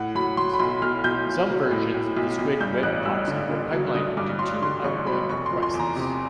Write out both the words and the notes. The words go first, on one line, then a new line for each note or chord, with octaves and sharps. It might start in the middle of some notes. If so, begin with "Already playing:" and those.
Some versions of the Squid web proxy will pipeline up to two outgoing requests.
Already playing: A2 F#5
F#3 B5
F#3 C6
B5
B1 C6
B1 F6
B1 G6
B1
F#3
A2
A2
B1
B1
G2 G6
A1 F#6
G2 E6
D3
D3
F#3
D3 D#6
G2 D6
F#3 C6
D3 C6
A1 C#6
F#3 B5
F1 C#6
C6
F3
C6
E2
A#5
C3